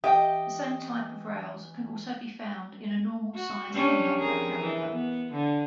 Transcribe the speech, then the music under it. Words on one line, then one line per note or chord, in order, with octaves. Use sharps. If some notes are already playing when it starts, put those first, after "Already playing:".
The same type of rails can also be found in a normal-size humbucker, however.
E3 G4 D#5 E5 G5
F#4
G3 C#4 D4
F2 G#4 A#4
E3
B3
D3